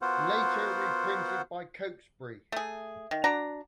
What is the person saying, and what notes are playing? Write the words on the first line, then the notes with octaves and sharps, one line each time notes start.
Later reprinted by Cokesbury.
B3 F4 F#4 A#4 C5 F#5
A3 G#4
D#3
D4 F#4 A#5